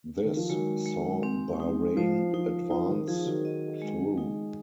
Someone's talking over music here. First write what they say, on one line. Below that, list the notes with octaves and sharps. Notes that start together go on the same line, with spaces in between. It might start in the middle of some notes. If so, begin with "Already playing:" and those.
This saw Bahrain advance through.
D#3
F3
D#3 F#3 G#3
G#3
C4
D#4
F3 C5
F3 D#4
F3 D#4
D#3
F3 G#4
D#3 F#3
D#5
G#3
D#4